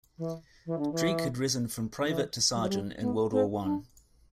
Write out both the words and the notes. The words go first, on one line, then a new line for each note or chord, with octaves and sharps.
Drake had risen from private to sergeant in World War One.
E3
E3
D3
E3
D3
E3
G3
F#3
G3
B3
C4
D4